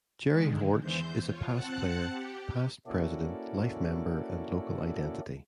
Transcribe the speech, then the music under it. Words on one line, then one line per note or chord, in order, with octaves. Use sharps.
Gerry Horch is a past player, past president, life member, and local identity.
D3 D#3 G#3
E2 E3 C5 G6
F4 C#5
C4 F#5 A5 F#6 C#7
G4
A#3 C#4 E4 F#4 A4 D5